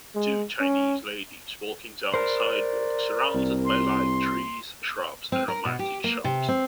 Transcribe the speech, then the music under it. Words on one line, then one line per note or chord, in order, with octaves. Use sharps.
Two chinese ladies walking down sidewalk surrounded by live trees, shrubs, and romantic shops.
G#3
C#4
A#4 C5 D5
C2
C6
C4
A#4
B2
G4
A#3
C3
C4